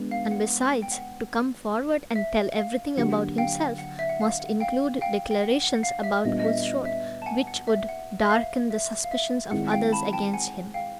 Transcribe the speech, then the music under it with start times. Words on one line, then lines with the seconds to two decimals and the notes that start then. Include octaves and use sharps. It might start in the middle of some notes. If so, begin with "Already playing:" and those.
And besides, to come forward and tell everything about himself must include declarations about Bulstrode which would darken the suspicions of others against him.
Already playing: G#3 B3 D4
0.11 F5
0.31 F#5
0.82 G5
0.92 F#5
2.16 E5
2.57 F5
2.97 D3 F#3 A#3 D4 G4 F#5
3.38 F5 G5
3.78 F#5
3.99 E5
4.09 F#5
4.21 F5
4.40 F#5
4.60 F5 G5
5.01 F5 G5
5.31 G5
5.43 F#5
5.63 F#5
5.75 F#5
5.83 F5
6.03 E5
6.24 A#2 G3 B3 D4 D#5
6.40 D#5
6.45 E5
6.65 D#5
6.85 E5
7.22 A5
7.26 F#5 G#5
7.47 F#5
7.67 E5
7.89 F#5
8.21 E5
8.30 F5
8.71 E5
9.04 F5
9.11 E5
9.51 D#3 G#3 C4 E4 G#4 F#5
9.72 F5 G5
9.92 A5 B5
10.13 G5 A5
10.34 F#5 G#5
10.74 F5 G5